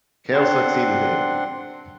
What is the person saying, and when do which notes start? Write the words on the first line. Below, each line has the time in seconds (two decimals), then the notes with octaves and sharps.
Cal succeeded him.
0.34 C4 D4 F#5 C6